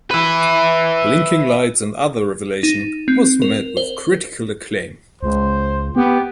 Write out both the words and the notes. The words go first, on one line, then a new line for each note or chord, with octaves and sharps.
"Blinking Lights and Other Revelations" was met with critical acclaim.
B4 E5
D#4
C4
A#4
C5
C#2 C5
B3 G4